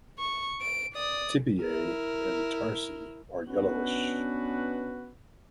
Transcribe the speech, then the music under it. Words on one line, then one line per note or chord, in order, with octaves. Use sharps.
Tibiae and tarsi are yellowish.
C#6
D7
D5 D#6
E4 A#4
B3 C#4 D4 F#4 B4